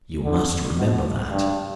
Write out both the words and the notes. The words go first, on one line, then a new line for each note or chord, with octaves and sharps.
You must remember that....
D3
B2
G2